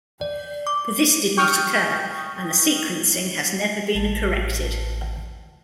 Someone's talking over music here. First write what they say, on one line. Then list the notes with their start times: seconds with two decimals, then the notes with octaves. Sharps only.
But this did not occur, and the sequencing has never been corrected.
0.21 D5
0.67 D6
1.37 G5 C#6 D#6 F6 G6
3.95 A1 A2 A5